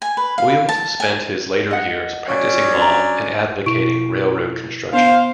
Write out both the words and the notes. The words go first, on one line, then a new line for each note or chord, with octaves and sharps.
Williams spent his later years practicing law and advocating railroad construction.
G#5
B4
F5
A5
G#5
D#5 F#5
F#3 C#4 D5
D4 A#5
B2 E4 C#6 D7
B3 D4 C5 F5